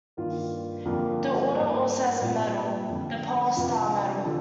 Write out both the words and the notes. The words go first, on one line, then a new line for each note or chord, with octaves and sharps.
This order also has a medal, "the Polar Star Medal".
G2 D#3 A#3 F4
F2 D3 G3 A#3 F4
G#2 G3 A#3
A#2 G3 C4 F4
F2 D3 G3
F2 C3 G3 D4 F4
D3 F3